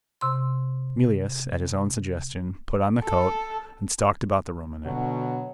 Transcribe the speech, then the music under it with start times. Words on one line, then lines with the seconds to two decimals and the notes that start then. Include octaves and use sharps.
Mealyus, at his own suggestion, put on the coat, and stalked about the room in it.
0.21 C3 C6
3.04 A4
4.86 B2 D3 F#3